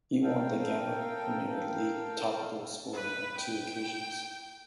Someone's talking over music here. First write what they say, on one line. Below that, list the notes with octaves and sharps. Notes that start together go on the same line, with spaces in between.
He won the Ghana Premier League top goal scorer on two occasions.
A4 A#4 F5 G5
B4
G5